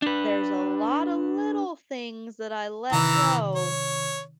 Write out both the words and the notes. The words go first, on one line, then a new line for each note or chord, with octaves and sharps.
there's a lot of little things that I let go.
D4 B4
C3 D#3 E3 A#5 E6
C#5